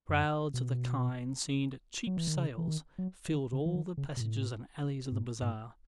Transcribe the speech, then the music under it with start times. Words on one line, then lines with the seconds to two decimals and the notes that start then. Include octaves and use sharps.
Crowds of the kind seen at cheap sales filled all the passages and alleys of the Bazaar.
0.09 F#2
0.54 B2
2.07 F#3
2.17 E3
2.27 D#3
2.37 C#3
2.58 E3
2.68 D#3
2.98 F#3
3.28 D#3
3.52 C#3
3.66 E3
3.75 D#3
3.97 C#3
4.17 B2
4.20 A2
5.12 G#2
5.42 G#2